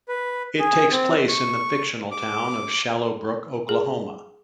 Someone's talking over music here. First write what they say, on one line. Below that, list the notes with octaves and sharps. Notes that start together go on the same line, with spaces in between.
It takes place in the fictional town of Shallow Brook, Oklahoma.
B4
G#4
C4
C#6
D6
G#4